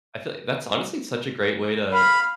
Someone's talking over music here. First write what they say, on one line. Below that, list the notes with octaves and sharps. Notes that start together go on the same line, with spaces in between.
I feel, like that's honestly it's such a great way to uh,
F5 B5